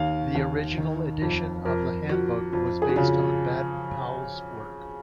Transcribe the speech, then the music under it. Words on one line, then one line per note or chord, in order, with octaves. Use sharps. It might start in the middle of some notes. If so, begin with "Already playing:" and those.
The original edition of the handbook was based on Baden-Powell's work.
Already playing: D#2 F5
D#2
D#3
F2
F2 A#4
F3 F#4
F2 F4
G#4
F#4
C#3 F4